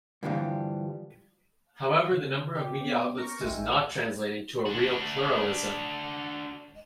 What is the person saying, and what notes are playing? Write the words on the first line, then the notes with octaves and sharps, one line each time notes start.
However, the number of media outlets does not translate into a real pluralism.
G2 D3 E3 F3 G3
C#3
G4
B3 C#4 D6
A#4 C#6 G6 A#6
A1 G#3 E5 G5
D4 F#4